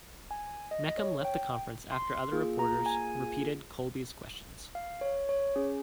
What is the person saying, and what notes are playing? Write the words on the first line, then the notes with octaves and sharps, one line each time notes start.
Mecham left the conference after other reporters repeated Kolbe's questions.
G#5
D#5
C#5
G5
C6
A#3 F4 G#4
A#5
G#5
F5
C#5
C#5
C#4 G#4